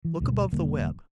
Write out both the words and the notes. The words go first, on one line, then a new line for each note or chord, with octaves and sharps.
Look above the web.
E3
D2 G2 B2
E1 D3 G3 A#3